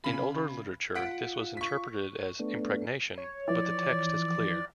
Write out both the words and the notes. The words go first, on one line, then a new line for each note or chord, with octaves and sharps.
In older literature, this was interpreted as "impregnation", but the text is clear.
C#3 B5
F4 F#5 B6 D7
C#6 B6
A3 B3 D4
C#5
E3 F3 D5